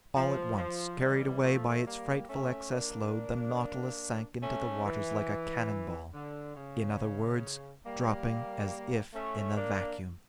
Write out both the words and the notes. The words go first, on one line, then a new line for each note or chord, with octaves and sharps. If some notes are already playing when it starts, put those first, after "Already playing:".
All at once, carried away by its frightful excess load, the Nautilus sank into the waters like a cannonball, in other words, dropping as if in a vacuum!
F3
F3
E3 G3
F3 A3
G3 A#3
A3 C#4
A#3 D4
A3 C#4
E3
D3
C#3
G3 A#3
A3 C#4
A#3 D4